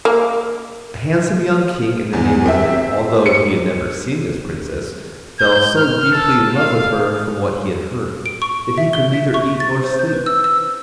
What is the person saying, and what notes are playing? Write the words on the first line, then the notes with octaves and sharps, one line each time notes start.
A handsome young King in the neighbourhood, although he had never seen this Princess, fell so deeply in love with her from what he had heard, that he could neither eat nor sleep.
A#3
E2
C4 E5
C#7
G6
F6
A4
F5
D7
C#6
E5
G7
E5
C#6
A6
C5
G6
B4
E6
E6